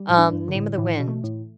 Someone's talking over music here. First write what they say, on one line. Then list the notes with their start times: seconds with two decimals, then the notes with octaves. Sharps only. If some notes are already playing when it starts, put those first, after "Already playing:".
Um, Name of the Wind.
Already playing: G3
0.09 A2
0.17 D4
0.33 G2
0.48 D3
0.55 A2
0.78 A2 E3
1.00 B2
1.08 A3
1.24 A2